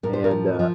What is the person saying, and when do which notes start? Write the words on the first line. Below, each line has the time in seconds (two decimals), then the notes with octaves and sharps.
and, uh
0.03 A2 A#4
0.13 C5
0.24 A#4
0.31 F3
0.59 F3